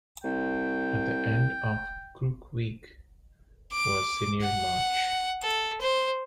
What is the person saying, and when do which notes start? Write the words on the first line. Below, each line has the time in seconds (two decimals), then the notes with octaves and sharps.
At the end of Crook Week was Senior March.
0.24 C2 G5
3.72 D6
4.42 F#5
5.42 A4
5.81 C5